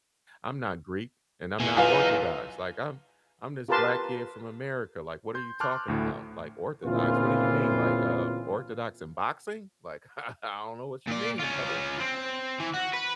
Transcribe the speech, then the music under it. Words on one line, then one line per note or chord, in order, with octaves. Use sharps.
"I'm not Greek, and I'm not Orthodox. Like, I'm I'm this Black kid from America, like, what are you talking about? Like, Orthodox, what do you mean, like, uh, Orthodox in boxing? Like, I don't know what you mean, brother."
B2 E4 G#4
B1 D#4 F4 B4 G#5
F4 G4 A#4 B4 A5 C6
C6 G6
A5 C6 D6 F6 F#6
D2 A2
D2 A#2 C#3 E3 C4 F4
A#2 D5
C#4 F4
C4
E3
F#4
B4